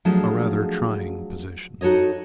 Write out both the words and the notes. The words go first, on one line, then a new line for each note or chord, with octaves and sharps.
A rather trying position.
F3 F#3 A3 D4 G#4 A4
D#4 F#4 A4 C#5 D#5